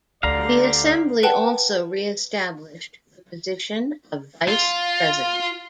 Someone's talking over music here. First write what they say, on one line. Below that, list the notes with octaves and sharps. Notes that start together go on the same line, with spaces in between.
The Assembly also reestablished the position of vice president.
D2 D3 G4 C5 D5 F5 A#5
B4 F#5 G5 A5
F4